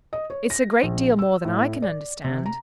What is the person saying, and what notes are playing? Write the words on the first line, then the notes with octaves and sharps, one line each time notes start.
"It's a great deal more than I can understand."
D#5
C#5
A#6
A#1
E6
A2
D5
C3
A#5